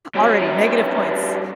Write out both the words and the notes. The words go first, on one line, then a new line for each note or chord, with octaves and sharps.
Already negative points.
G2 C#4